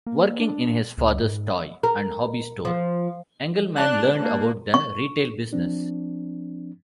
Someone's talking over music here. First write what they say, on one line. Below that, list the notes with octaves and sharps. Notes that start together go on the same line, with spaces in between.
Working in his father's toy and hobby store, Engelman learned about the retail business.
A#3
D4
C#2
G#2
A#4
F3
D4 D5 A5 F#6
A#3
C#6
F3 C4 D4